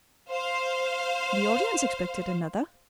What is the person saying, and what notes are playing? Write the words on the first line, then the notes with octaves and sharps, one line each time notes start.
The audience expected another.
C5 F5